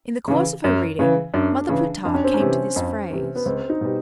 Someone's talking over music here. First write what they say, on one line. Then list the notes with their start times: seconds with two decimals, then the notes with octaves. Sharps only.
In the course of her reading, Mother Plutarque came to this phrase.
0.28 C#3 E3
0.64 F#2
0.99 C#3 E3
1.34 F#2 D4
1.69 C#3 E3
2.05 F2 D4
2.14 C#4
2.24 C4
2.34 C#4
2.40 C3 E3
2.76 F2
3.11 C3 E3
3.35 B3
3.46 C#2 C4
3.70 D#4
3.81 B2 G3